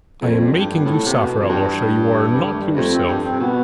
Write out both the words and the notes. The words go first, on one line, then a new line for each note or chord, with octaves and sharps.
I am making you suffer, Alyosha, you are not yourself.
F2 A3
G3
G2 G3
A3
B3
A2 C4
C3 B3
A3
B2 B3
G3
F2
G2 E3
C3
E3
C3
D3
A3
G3
F2 A3
C4
G2
C4
C3
B2 B3